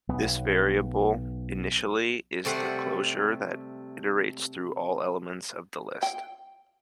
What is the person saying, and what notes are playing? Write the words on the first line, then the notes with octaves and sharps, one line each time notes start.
This variable initially is the closure that iterates through all elements of the list.
B1 B3
C3 G3 A3 A4 C5 F#5
G5